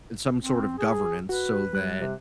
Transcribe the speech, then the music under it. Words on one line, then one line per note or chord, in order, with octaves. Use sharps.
and some sort of governance so that,
C4
G#4
F#4 B4
G3 F#6
C3